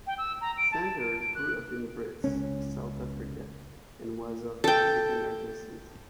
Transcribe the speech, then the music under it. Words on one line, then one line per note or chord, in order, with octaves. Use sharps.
Sanders grew up in Brits, South Africa, and was of Afrikaner descent.
G5
E6
A#5
D7
A5
D7
D7
F#6
C#2 C#4
A4 G5